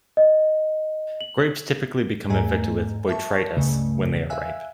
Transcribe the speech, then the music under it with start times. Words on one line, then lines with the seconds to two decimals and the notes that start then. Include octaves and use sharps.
Grapes typically become infected with "Botrytis" when they are ripe.
0.17 D#5
1.21 F#7
2.30 E2 G#2 A3 G#4 G#5 A#5
3.08 E5 A5 C#6
3.57 C#2 G2 C#3 A3
4.30 E5 F5 G#5 E6 F#6